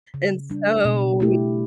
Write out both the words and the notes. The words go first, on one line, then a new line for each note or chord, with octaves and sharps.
and so he
C#3
G3 D4
B2
A3 E4 G4